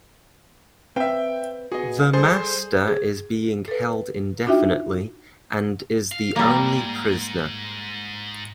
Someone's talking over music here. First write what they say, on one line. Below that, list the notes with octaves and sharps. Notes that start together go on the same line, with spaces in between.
The Master is being held indefinitely and is the only prisoner.
C4 B4 E5 F5 G5
B3 F#4 G#4 D#5
G3 G#4 A4 C5
G#4
A4 B4
D4 D#4 F4 F#4 E5 G5
F5
G#2 G3 A#3